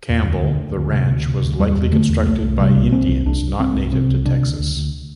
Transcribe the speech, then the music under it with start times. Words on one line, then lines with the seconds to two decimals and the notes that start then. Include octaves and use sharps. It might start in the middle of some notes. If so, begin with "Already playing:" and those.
Campbell, the ranch was likely constructed by Indians not native to Texas.
0.09 E2
0.26 D2
0.43 D3
0.59 D2
0.76 D2
0.93 C3
1.10 D2
1.26 C3
1.42 D2
1.59 E2 G3
1.77 E2
1.92 D3 A3
2.09 E2
2.25 C2 A3
2.42 C2
2.59 C3 G3
2.76 C2
2.92 C2 C4
3.09 C2
3.26 C2 D4
3.43 C2
3.59 C2 C4
3.75 C2
3.92 C3 C4
4.09 C2
4.25 C3 D4
4.42 D2
4.59 D2
4.76 D2